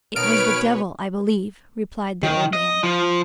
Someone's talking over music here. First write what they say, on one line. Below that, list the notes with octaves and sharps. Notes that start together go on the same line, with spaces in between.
"It was the devil, I believe!" replied the old man.
B2 D#3 D#4 B4 C#5 F6 D7
D#3
D#5
F3